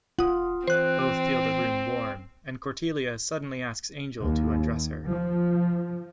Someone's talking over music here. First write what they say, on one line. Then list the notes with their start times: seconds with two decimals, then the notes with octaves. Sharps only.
Both feel the room warm, and Cordelia suddenly asks Angel to undress her.
0.19 F1 F4 F#5 D#6
0.67 E3 C4 C5 F#6
4.18 D#2
5.07 F3